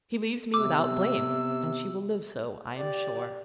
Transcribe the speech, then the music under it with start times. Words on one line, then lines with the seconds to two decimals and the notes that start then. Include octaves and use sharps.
She leaves me without blame, and she will live so I am sure.
0.54 C3 B3 D6 E6
2.78 G4 D5